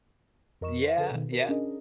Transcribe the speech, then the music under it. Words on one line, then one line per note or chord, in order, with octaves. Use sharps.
Yeah, yeah,
F2 A#4 D#5 C#6 E7
C5 F5
D3 G#4 A4 B4
B2 D#3
F#4 A#4
C#4 D4 G#4 A#4 D#5